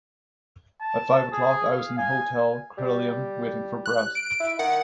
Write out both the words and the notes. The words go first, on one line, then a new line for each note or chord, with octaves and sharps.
At five o'clock I was in the Hotel Crillon waiting for Brett.
A5
G#4
F5
G#5
G3
F#6
D7
E4
D#3 F#5